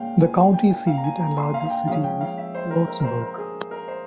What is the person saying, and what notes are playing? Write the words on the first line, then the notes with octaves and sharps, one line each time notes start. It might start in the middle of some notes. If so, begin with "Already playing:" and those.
The county seat and largest city is Lordsburg.
Already playing: A#2 G#3 C#4 F5 G5
G#5
G5
G5
F5
A#5
G#5
A#5
C6
F5
F5
G5
F3 G#3 C#4 F5
G5
F5
E5
C5
A#4
A#4
A#4
C5
A#4
G#4
A#4
C5